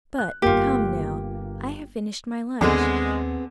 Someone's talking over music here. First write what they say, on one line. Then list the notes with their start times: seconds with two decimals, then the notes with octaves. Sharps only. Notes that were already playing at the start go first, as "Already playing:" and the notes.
But, come, now. I have finished my lunch.
0.18 F#6
0.42 G1 A#3 F4 G4
2.61 D#2 D3 G#3 B3 C4 G#4